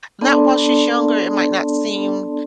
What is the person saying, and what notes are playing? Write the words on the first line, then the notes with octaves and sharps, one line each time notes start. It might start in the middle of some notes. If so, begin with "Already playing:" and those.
not while she's younger, it might not seem,
B3 D4 A4 D5 A5 C6